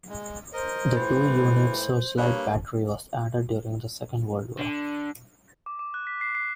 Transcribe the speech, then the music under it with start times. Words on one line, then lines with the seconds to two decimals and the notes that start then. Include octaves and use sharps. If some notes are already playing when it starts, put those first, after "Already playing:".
A two unit searchlight battery was added during the Second World War.
0.09 G#3
0.53 A#4 C5 D#5
0.96 A2 E3
2.18 G2 A#3 C#5
4.59 D3
5.66 D6
5.79 D6
5.94 F#6
6.07 B6
6.21 C7
6.35 C7